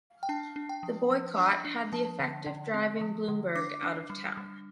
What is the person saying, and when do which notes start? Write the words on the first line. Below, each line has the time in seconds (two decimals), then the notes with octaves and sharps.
The boycott had the effect of driving Blumberg out of town.
0.23 G5
0.29 D4 A5
0.56 D4
0.69 G5
0.83 F3
1.10 F3
1.38 D4
1.65 D4
1.92 F3 A5
2.20 D3
2.46 D3
2.74 C4
3.01 F3
3.28 D3
3.55 D4 D6
3.83 D4
4.10 G3
4.37 G3